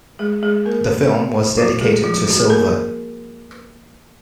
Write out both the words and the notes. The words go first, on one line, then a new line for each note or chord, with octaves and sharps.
The film was dedicated to Silva.
G#3 G#4
G#3 G#4
A#3 A#4
F#3 F#4
G#3 G#4
F3 F4
F4
F#4
G#4
A#3 A#4